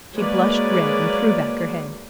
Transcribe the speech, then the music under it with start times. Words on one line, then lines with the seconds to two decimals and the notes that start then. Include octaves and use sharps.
She blushed red and threw back her head.
0.17 F#3 G#3 A#3 B4 C#5 D5